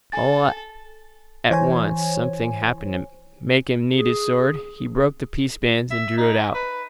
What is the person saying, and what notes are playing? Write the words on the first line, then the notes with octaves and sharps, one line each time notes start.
If all at once something happened to make him need his sword, he broke the peace-bands and drew it out.
A4 G#5 A6
E3 C5 C#5 G#5
G#4
E5
D#4
B4